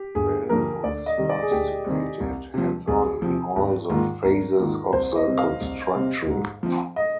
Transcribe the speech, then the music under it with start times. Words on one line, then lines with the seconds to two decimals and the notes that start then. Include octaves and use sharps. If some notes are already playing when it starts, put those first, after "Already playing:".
Balthus participated "hands on" in all the phases of the construction.
Already playing: G4
0.15 G1 G#4
0.49 G2 D3 F3 A#3 A#4
0.83 D2 D5
1.06 D#5
1.18 C3 D#3 G3 C4
1.29 D5
1.43 G#4
1.51 D2 G4
1.86 C3 D#3 G3 C4
2.20 C2
2.54 C3 F3
2.87 C2 G#4
3.22 C3 F3
3.56 G#1
3.90 G#2 D#3 A#3 F4
4.24 G#1 A#4
4.58 G#2 D#3 A#3 F4
4.93 C2 C5
5.16 D#5
5.26 C3 G3 C4
5.38 F5
5.61 C2
5.95 C3 G3 C4
6.29 G#2
6.63 F3 C4
6.96 D#5